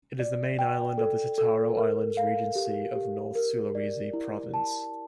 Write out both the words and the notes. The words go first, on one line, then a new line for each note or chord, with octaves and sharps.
It is the main island of the Sitaro Islands Regency of North Sulawesi Province.
D5
G5
A4
A4
A#4
F5
G4
G4
A#4
D5
E4
A5